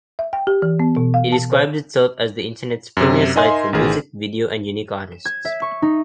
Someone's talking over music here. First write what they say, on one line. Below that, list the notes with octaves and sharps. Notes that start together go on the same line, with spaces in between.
It describes itself as "the Internet's premier site for music, video and unique artists".
E5
G5
G4
E3
B3
B2
F5
A5
C5
F#2 C3
D#4 A#4 D#5 E5 G#5 C6
A1 D#3 G#4
E7
G#6
E5
C#6
D#4